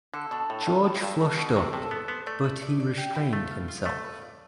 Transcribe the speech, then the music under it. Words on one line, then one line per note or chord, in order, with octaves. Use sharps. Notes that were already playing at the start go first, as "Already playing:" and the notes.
George flushed up, but he restrained himself.
D3 A4
B2 D4
A2 A4
G2 F4
A2 A4
G2 D4
A3
B2 A3
C3 A3
C3 A4
B3 A4
B3 C5
A3 D5
E4
D5
D5
G4
E4
A3 F4
F4
F4
A3 F4
B4
D5